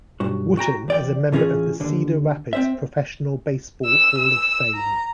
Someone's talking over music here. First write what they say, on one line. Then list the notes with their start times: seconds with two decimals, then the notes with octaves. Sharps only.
Wooten is a member of the Cedar Rapids Professional Baseball Hall of Fame.
0.20 B1 G2 F#4
0.57 F#4 G5 A#5
0.88 E2 D5 G5
1.32 A2 E3 C#4 F4 G#4
1.80 D#2 D3
2.53 C4 C5 E5
3.85 E6
4.18 E6
4.74 A#5